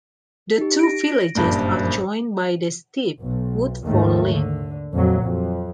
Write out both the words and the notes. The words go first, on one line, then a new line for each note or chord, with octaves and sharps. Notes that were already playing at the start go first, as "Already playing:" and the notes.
The two villages are joined by the steep Woodfall Lane.
D#4 G4
A#6 D7
F#1 G2 A#2
C5
B1
D#2 G#2 D#3 A3
D3
F2 A#2 F#3
F2